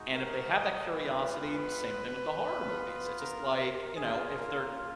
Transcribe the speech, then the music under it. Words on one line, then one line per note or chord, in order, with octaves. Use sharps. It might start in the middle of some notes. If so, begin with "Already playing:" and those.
And if they have that curiosity, same thing with the horror movies. It's just like, you know, if they're
Already playing: G#3 D#4 F#4
A#4
D#5
G#3 B3 F4 B4
B3 F4
A#4
A#4
A#3 C#4 F4 G#4
A#4